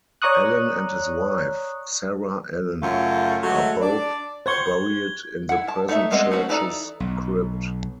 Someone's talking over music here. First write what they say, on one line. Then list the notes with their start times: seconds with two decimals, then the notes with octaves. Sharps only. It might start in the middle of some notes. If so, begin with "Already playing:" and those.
Allen and his wife, Sarah Allen are both buried in the present church's crypt.
0.22 C#5 D5 A#5 C#6 D#6 F#6
2.82 F#2 C#3 A3 F4
3.42 F#3 G#3 A3
3.81 D4 D5
4.46 C5 C#6 F#6 G#6 G7
5.49 E4 F#5
5.68 A5
5.89 A3 D#4 C#5 D5 E5
6.11 G3 G#3 B3 C4 D#5
6.31 A3 C4 C#4 F#4 B4
6.49 E3 D#4 A4 D5 A#5
7.00 B1